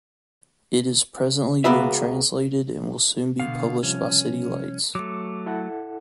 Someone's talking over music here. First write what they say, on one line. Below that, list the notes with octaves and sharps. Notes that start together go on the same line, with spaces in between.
It is presently being translated and will soon be published by City Lights.
C#2 A#3 B3 F#4 E5
B2 D3 F5
C3 F3 G3 C#4
F#3 A3 D6
E4 A4 F#5